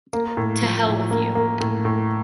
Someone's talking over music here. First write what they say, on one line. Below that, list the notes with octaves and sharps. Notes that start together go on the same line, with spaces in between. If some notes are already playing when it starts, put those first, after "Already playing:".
To hell with you!
A#3
A2
F3
A2
A#3
A#3
A2
A2